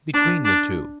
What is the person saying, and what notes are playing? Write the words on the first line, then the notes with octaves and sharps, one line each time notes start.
"Between the two."
D4
D4